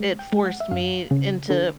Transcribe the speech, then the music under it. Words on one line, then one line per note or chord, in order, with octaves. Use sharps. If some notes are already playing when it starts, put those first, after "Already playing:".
it forced me into
Already playing: G#3
G5
G#3
F#5
E5
F#2 F5
C#3
D3